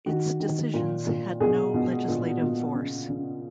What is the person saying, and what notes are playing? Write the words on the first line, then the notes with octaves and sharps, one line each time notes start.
Its decisions had no legislative force.
D#3 F#4
D#3
A#2
A#2
B2 G#4
B2
A#2
A#2
C#3
C#3